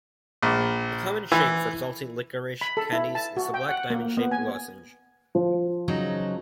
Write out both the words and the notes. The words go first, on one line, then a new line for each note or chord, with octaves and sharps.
A common shape for salty liquorice candies is a black diamond-shaped lozenge.
A#1
E3
B5
A4
E4
A5
F#4
G5
F#5
A#3
B3
G#5
F3
C#3 F#3 D#4